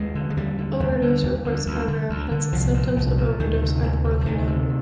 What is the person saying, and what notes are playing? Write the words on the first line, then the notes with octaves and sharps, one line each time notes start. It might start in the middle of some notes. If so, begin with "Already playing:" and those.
Overdose reports are rare, hence symptoms of overdose are poorly known.
Already playing: D#2 G#3
D3
G#3
D#2 G3
D3
D#2
D3
D#2
D3
D2
D3
D2
D3
C2 F3
A#2
C2
A#2
D2 D#3
C3
D2
C3
F3
D2 D#3
C3